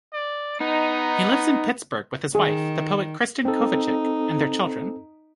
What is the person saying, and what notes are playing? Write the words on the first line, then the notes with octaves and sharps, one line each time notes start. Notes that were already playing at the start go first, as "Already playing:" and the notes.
He lives in Pittsburgh with his wife, the poet Kristin Kovacic, and their children.
D5
B3 D#4
D#3 G#4
C4 D#4 A4